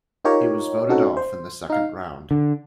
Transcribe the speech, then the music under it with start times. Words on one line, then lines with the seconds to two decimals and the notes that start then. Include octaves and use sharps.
He was voted off in the second round.
0.25 D#4 F4 G4 A#4 C#5
0.89 C4 C#4 D#4 F#4 A4
1.17 C5
1.70 D#4 F5
2.31 D3